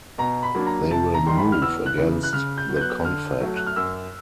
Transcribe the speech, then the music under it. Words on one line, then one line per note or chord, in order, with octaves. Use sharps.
They will move against the Confed.
B2 A#5
B5
F#3 A#3 D4
A#5
C3 A5
A#5
D#3 G3 C6
B5
F6
E2 E6
F#6
C#3 E3
F#6
C#3 F6
G6
F#3
B3 G6
F#6
D3 F6
F#3 A3
F#6
F6
F#2 E6